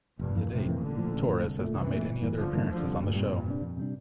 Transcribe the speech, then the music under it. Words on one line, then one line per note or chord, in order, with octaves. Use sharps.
To date, Torres has not made any other appearances on the show.
F1 G2 A#2
F2 E3 A#3
F1 A2 C3
F2 E3 A#3
A1 A#2 D3
A2 F3
A1
A2 F3
C2
A#2 A3
C2 C3 E3
A#2 A3
G1
G2 E3 A#3
G1 D3 F3
G2 E3 A#3
D2 D3 F3
C3 G3
D2 G2 A#2
C3 G3
F2
C3 G3 D4
F2
C3 G3 D4